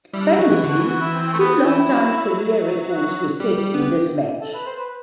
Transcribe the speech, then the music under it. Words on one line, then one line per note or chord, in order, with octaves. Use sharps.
Famously, two longtime career records were set in this match.
G3 E4
D4
E4
F#3 F#4
E3
D3 F#4
E3
F#4
E4
C4
C4
A3
B3
E4
F#3
F#4
G3 G4
G3
B3
A4
B4
C5
B4